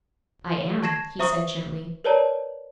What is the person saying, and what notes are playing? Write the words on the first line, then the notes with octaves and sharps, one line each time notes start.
'I am,' he said gently.
A5 C#6 G#6 A#6 C7 E7
C5 E5 A#5 C#6 D#6
A#4 B4 C#5 D5 A5 A#5